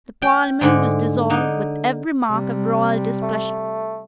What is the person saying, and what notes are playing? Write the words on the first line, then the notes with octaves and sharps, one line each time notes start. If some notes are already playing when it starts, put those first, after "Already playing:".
The Parliament was dissolved with every mark of royal displeasure.
G5
G#2 D3
D3 D#4
C3 G3
A3